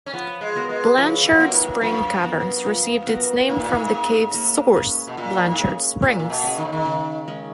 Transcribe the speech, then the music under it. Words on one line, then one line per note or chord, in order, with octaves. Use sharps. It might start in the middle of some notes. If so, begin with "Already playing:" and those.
Blanchard Springs Caverns received its name from the cave's source, Blanchard Springs.
C#4
F3 B3
G#3
B3 F#4 A#4
G#3
C#3 F3
F#2
B3 F#4 A#4
G#2
F#2 F3
B3 F#4 A#4
F3
B3 F#4 A#4
G#2 A#3
A#2
G#2
C#4 G#4
A#3
C#4 G#4
B2
A#2 A#3
G#2
C#4 G#4
A#2 A#3
A#2
B2
C#4 G#4
D#3
C#3
D#3
C#3
G#3 C#4